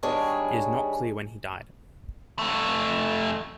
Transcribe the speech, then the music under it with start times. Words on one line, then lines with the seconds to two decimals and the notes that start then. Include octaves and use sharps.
It is not clear when he died.
0.03 D#3 G3 G#3 D4 G#4 C#5
2.39 F2 A3